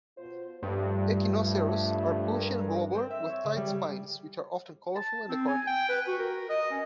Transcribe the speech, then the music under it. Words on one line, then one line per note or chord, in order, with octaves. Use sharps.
"Echinocereus" are bushy and globular with tight spines which are often colorful and decorative.
B2 F4 C5
G2 F3 A3
D4 A4 A#4
C4
E5
C#5
C#3
G3
A5
C4
G#5
G5
B4
F#4
A#4
D#5
C#4